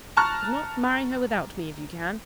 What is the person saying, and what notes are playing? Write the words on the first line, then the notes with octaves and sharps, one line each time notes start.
If not, marry her without me if you can.
A5 A#5 C#6 F6 F#6